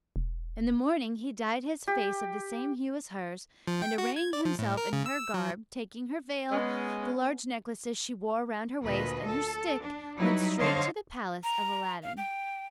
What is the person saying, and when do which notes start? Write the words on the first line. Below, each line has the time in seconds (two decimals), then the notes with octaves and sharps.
In the morning he dyed his face of the same hue as hers, and arraying himself in her garb, taking her veil, the large necklace she wore round her waist, and her stick, went straight to the palace of Aladdin.
0.16 E1
1.87 G4
3.67 F3
3.82 G5
3.98 F#4
4.16 G#6
4.33 D5
4.45 F3
4.59 A2
4.77 A#4
4.93 C#3
5.06 E6
5.34 F#3
6.51 G#3 B3 C#4
8.82 D2 A#2 B4 D#5
9.25 A4
9.80 D4
10.16 F#3 G3 D#4 E4 B4
10.59 D3 C5 C#5 D#5 F5
11.44 A#5
12.03 F5
12.17 G5